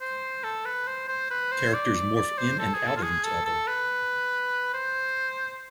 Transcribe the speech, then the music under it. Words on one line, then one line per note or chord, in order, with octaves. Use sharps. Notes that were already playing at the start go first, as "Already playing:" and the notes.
Characters morph in and out of each other.
C5
A4
B4
C5
C5
B4
C5
D5
D5
C5
A4
G#4
A4
F4
G#4
A4
A4
B4
C5